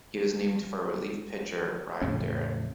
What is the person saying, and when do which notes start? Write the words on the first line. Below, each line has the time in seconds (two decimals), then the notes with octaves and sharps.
He was named for relief pitcher Ryne Duren.
2.01 E2 A2 C#3 C#4